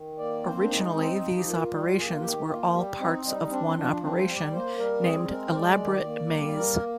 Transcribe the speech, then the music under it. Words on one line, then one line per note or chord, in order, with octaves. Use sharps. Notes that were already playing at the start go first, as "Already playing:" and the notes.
Originally, these operations were all parts of one operation named Elaborate Maze.
Already playing: D#3
A#3 D5
C4 C5
D4
G#3 D#4
C4
F3
G4
A#3 F4
G3
A#3 G#4
G4
F4
D#3 G4
A#3 F4
G3 G4
C4 D#4
G3 D#4
C4 D4
C4
F3 D4
C4 D4
C5
G3
D5
A#3 C5
G3 A#4
C4 G#4
G#3 A#4
C5
G#3 D5
D#3
A#3
G3
A#3 A#4